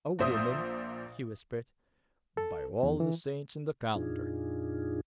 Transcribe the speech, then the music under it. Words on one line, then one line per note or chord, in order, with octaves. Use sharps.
"A woman!" he whispered, "by all the saints in the calendar."
A#1 A#2 C5 E5 D#6
A4
E2
E3
F2 A#2 D4 D#4 F4 G#4